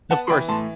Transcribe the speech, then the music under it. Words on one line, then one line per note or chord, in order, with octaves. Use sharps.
Of course.
B3 F#5 A5
E3 G5 B5
A2 A5 C6